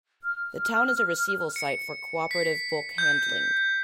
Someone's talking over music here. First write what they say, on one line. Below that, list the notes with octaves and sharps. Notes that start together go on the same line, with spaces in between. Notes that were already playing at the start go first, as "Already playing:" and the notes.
The town is a receival site for Cooperative Bulk Handling.
F6
C#7
B6
G6